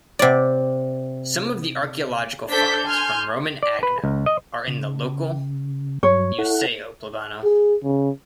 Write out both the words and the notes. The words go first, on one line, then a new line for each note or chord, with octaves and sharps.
Some of the archaeological finds from Roman Agno are in the local Museo plebano.
C3 D5
D4 A4 C5 G6 B6
G#5 C6 F6 G6
D5
B4
C#2
D#5
C#3
G2 F#3 C#5
E4 A4 F#5
G#4
C#3